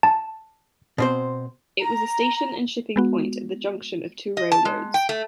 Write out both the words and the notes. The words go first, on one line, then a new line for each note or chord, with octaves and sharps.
It was a station and shipping point at the junction of two railroads.
A5
B2 C4 C5
A#5
G#3 B3 F#4
D#5
A5
G#3
G5
A3